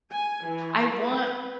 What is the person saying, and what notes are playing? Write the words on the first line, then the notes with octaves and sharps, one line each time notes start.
I want
G#5
E3
B4